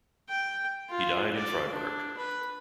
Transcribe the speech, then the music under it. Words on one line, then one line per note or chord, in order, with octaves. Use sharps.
He died in Freiburg.
G5
F4
D5
D4
B4